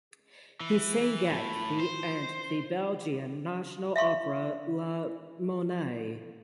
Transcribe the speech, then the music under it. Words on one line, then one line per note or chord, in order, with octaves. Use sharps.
He sang at the and the Belgian National Opera La Monnaie.
E3
A2
C5
E5 F5 C6 C#6